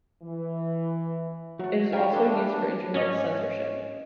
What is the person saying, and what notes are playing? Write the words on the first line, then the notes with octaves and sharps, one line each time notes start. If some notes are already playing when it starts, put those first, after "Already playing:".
It is also used for Internet censorship.
E3
F#3 A3 F#4
G3 C#5 F5 G5 G#5 A#5
E3 D4 A4 A#4 A5
G#2 C#4 D5 D#5